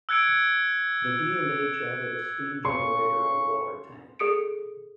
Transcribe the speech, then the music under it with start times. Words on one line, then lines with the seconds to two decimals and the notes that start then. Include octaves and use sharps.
The D and H added a steam generator and water tank.
0.09 E6 F#6 G#6 C#7 D7
2.65 C#3 C6 C#6
4.19 G#4 A4 D#6 C#7 D7